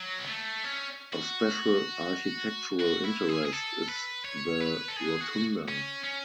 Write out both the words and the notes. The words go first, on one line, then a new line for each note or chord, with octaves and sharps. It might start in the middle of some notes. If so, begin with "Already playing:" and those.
Of special architectural interest is the rotunda.
Already playing: F#3
B3
A3
C#4
F#4
F#4
E4
G#4
G#4
A4
B4
C#5
B4
A4
G#4
F#4
C#4
C#4